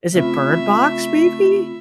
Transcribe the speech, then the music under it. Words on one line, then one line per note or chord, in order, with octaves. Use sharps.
Is it Bird Box maybe?
C#3 A3 C4 F4 E5 B5